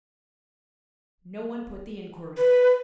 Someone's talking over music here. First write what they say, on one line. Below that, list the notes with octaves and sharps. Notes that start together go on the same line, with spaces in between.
No one put the inquiry.
B4